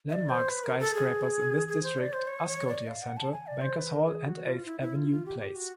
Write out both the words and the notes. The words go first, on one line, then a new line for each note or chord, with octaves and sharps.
Landmark skyscrapers in this district are Scotia Centre, Bankers Hall, and Eighth Avenue Place.
E5
D5
C5
B4
A#4
A4
G#4
G#4
C5
D5
C5
C#5
C#5
D5
F5
F#5
A5
G#5
D5
C5
B4
A#4
G#4
F#4
F4
E4
E4
F4
F4
G4
G4
F#4